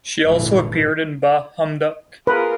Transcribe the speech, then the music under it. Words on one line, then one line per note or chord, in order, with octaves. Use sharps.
She also appeared in Bah, Humduck!
G#1 F2 A#2 D3 E3
F4 G#4 A#4 B4